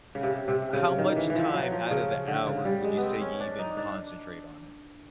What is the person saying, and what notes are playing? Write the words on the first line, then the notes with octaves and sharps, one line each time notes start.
ah oh ah How much time out of the hour would you say you even concentrate on it?
C#3
C3
C3
C#3
D#3
E3
E3
F3
F#3
F3
C#3
D3
C#3
G3
G#3
B3
C4
C#4
D4
D#4
D4